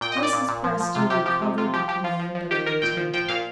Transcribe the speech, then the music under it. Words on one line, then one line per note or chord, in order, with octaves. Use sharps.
Mrs. Presty recovered the command of her temper.
A#2 G5
D#5
A#2
D5
A#2
A#2
F3
F3
C3 F4
C3 G4
F3 G4
C3
C3 F4
F3 G4
F3 G4
F3 F4
F3
F3
D#3 G4
D#3 A#4
A#2 G5
F3
F3 G5
A#2 F5